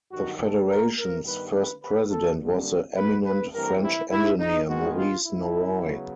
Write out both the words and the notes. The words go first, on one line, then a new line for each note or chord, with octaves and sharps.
The federation's first president was the eminent French engineer, Maurice Norroy.
G2 D#3 F#3 F#4
A4
A#4
A#4
G2 D#3 G3 B3 B4
B4
B4
A4
G2 D3 G3 A#3
B4
B4
G2 E3 A3 C4 A#4
E4
E4
D#4
G#2 D#3 G#3 B3 F#4
F4
E4
C#3 F#3 B3